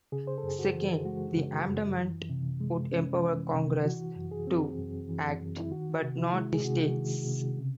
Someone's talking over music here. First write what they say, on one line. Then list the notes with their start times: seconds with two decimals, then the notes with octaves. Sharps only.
Second, the amendment would empower "Congress" to act, but not the states.
0.12 C#3 G#4
0.27 C5
0.38 A4
0.43 F#2
0.48 G#4
0.59 F#4
0.75 E3
1.05 G#3 F#4
1.37 C#3
1.67 F#2
1.99 E3
2.29 C3
2.61 G#3
2.91 C#4
3.23 E3
3.54 C3
3.85 E3 F#4
4.16 F#2
4.31 G#4
4.47 C4
4.78 F#2
5.09 E3
5.40 F#2
5.59 E4
5.71 D#3 F#4
6.02 C3
6.18 E4
6.33 G#3
6.54 G#4
6.64 C3 F#4
6.95 D#3
7.27 C3
7.58 C#3